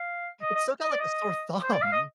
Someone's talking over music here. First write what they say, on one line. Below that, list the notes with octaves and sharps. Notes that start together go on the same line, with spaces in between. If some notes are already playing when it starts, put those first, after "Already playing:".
It stuck out like a sore thumb.
Already playing: F5
D#5
D#5
D#5
D5
D#5
C5
D5
F5
D#5